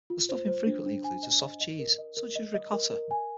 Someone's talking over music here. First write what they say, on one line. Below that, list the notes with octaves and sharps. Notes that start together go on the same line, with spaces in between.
The stuffing frequently includes a soft cheese, such as ricotta.
F4
C5
C5
D4
D4
G#5
D#5
D#5
D#5
A#4
D#5
A#4
D#5
D#5
A#4
A#4
G#5